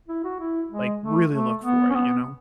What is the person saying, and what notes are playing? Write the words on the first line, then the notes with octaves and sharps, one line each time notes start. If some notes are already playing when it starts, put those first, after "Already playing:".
like, really look for it, you know?
E4
F#4
E4
G#3
A3
A3
B3
C#4
B3